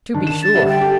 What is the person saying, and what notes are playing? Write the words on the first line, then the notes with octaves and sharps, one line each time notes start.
To be sure.
D#3 D4
E7
A6
D3 G3 E5
G5
G4 A4